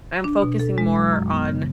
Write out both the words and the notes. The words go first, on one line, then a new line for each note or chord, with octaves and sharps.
I'm focusing more on
D4
B2
A4
G#3
F#3
F#2
B3
C#3